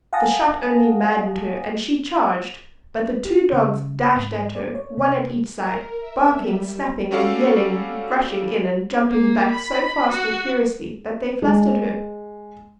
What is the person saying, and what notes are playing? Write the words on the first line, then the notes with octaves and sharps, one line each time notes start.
The shot only maddened her, and she charged; but the two dogs dashed at her, one at each side, barking, snapping and yelling, rushing in and jumping back so fast and furiously that they flustered her.
F5 F#5 G#5 A5 D#6 A#6
G4
C#3
G#2
D5
C#5
C3
A#4
E5
G3
G3 C#4 F#4 A4 D5 F5
A#3
B5
F#4
G#3